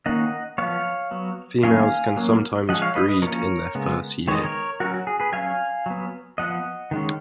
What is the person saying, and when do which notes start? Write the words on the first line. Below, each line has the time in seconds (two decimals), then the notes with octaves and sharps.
Females can sometimes breed in their first year.
0.06 D#3 A#3 C#4 D#5 F#5
0.58 F3 B3 C#5 F5
1.11 F#3 B3
1.63 D#3 F#3 A#3 C#4 F5 G#5
2.17 F#3 A#3 C#4
2.69 F3 G#3 C#4 D#5 F#5
2.82 C#5 F5
2.95 B4 D#5
3.08 B4 D#5
3.22 F3 A#3 C#4 A#4 C#5
3.75 C#3 G#3 B3
4.27 D#3 G#3 B3 C#5
4.35 D#5
4.43 A#4 C#5
4.80 F#3 C#4 F#4 A#4
4.94 F#4
5.07 G#4
5.20 G#4 B4
5.32 F#3 C#4 F5 G#5
5.86 F#3 B3
6.38 F3 B3 D#5 F#5
6.91 D#3 G#3 C#4